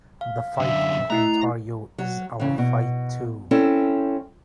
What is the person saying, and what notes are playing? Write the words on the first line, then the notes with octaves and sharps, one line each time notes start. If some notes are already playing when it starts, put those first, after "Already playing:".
The fight in Ontario is our fight too.
F5
F#2 D3 E5
A3 E4 A#5 C7
F#3
C#3 E3
B2
C4 C#4 E4 A4 C#5